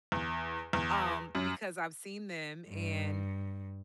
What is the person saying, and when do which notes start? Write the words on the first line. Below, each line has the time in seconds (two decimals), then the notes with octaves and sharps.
um, because I've seen them, and
0.12 E2
0.73 E2
1.35 F#2
2.69 G2